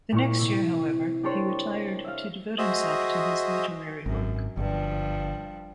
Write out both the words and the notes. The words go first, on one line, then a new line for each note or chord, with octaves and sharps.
The next year, however, he retired to devote himself to his literary work.
A#2 E4 C#6
C3 E4
D4 G4 A4 A#4 C5 C#5
E5 F5
F#4 G#4 C5 D#5 E5 D#6
G#1 F#2
G1 G2 F3